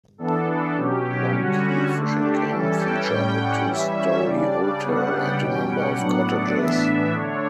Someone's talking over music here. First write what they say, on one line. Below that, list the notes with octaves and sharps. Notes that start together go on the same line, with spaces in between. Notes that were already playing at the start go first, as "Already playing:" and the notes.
Long Key Fishing Camp featured a two-story hotel and a number of cottages.
E3 B3 D4 A4
A4
B2 F#3 C#4 G4
D3 G3 C#4 F#4
D3 A3 D4
G4
E3 G3 C#4 A4
G5
A2 G3 C#4
F#5
E3 G3 C#4 E5
C#5
C#3 G3 D4 D5
D5
C#3 G3 B3 D4 F#5
G5
B2 G3 C#4
F#5
A2 F#3 B3 D4
D5
A2 E3 B3 D4 E5
D3 A3 D4 C#5